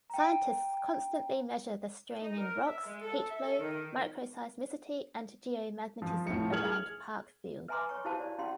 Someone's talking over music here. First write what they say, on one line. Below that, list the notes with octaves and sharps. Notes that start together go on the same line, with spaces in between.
Scientists constantly measure the strain in rocks, heat flow, microseismicity, and geomagnetism around Parkfield.
G5 A#5
D#4
A#4
E5
G#3
A4
E5
A4
D#3
F3
A2 C#7
G#4 F6 G#6 F#7
B4 E5 G#5 A#5 C6 D6
C#5 C#6
E4 F#4 G4 C5 F5 A5
D5
C#4 E4 G4 F5 C6